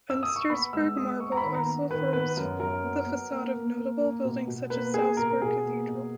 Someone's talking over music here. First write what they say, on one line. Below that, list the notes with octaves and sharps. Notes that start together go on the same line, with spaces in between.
Untersberg marble also forms the facade of notable buildings such as Salzburg Cathedral.
E6
D#6
C#6
B3 B5
G#3 E6
G#3 D#6
B3 C#6
A#5
B5
D#3
A#5
B3
D#3 B4
B3 B4
F#2 A#4
F#2 A#4
B3
B3
A#3
A#3
A#3
A#3
B2
B2
A#3 B4
A#3 G#4
B2 A#4
A#4
B2 G#4
A#3
B2